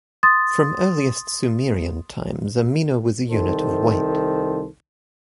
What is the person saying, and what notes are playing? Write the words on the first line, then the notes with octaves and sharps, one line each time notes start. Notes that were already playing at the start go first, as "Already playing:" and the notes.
From earliest Sumerian times, a mina was a unit of weight.
C6 D#6 A6
C2 D#3 A4 C5